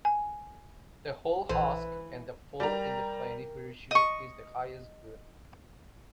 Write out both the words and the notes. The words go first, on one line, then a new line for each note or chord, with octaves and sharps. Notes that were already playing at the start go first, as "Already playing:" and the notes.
The hull husk and the full in plenty Virtue is the highest good.
G#5
A#1 E3 A4 B4 C5
G3 G4 A#4 A#5
D#5 C#6